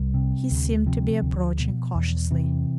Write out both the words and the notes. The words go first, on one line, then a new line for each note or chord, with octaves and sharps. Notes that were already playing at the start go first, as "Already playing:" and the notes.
He seemed to be approaching cautiously.
Already playing: C2 G3
C3
D2
C3 F3
D2
B2
E2
C3 E3